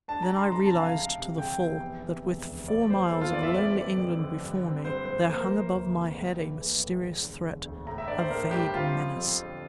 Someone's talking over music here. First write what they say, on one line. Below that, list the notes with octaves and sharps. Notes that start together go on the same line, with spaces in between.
Then I realized to the full that with four miles of lonely England before me there hung above my head a mysterious threat--a vague menace.
D4 A5
A#5
G3
C6
F2 A#5
A5
C3
F5
F1
C3
F1 G5
E2 G5
E3
C3
E1
D2
A#3 D5
G3 C5
E2 A4
F4
E3 D5
E5
C4 D5
A3 D5
F2
D3
G2
C4
G2 C5
F3 C5
A#3 C5
A#4
E3 C5
D2
C3
A#1
E3
A#1
A2
E1
D3
E1
D2
A2 A#5
E5
D4 D5
C5
A2 A#4
G3 G4
C4 F4
F3
F2
D3